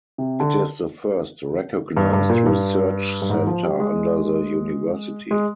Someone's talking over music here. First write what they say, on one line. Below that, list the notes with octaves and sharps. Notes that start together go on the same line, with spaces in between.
It is the first recognized research center under the university.
C3
D3
G2
G2
A#2
G2
G2
G#2
F3
G3
G#3
G#3